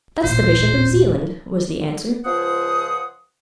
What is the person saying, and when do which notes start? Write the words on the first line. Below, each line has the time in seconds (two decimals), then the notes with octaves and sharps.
"That's the Bishop of Zealand," was the answer.
0.24 D#1 A1 A#2 C5
2.25 C#2 F3 C5 F#5 D#6